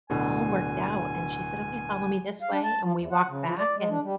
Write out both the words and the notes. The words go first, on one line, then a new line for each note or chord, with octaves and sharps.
all worked out, and she said, "Okay, follow me this way," and we walked back, and
D1 B2 D3 G#5
F5
D4
A5
F3
E2
F#5
C#3
F3
D5
G#3
D4
G3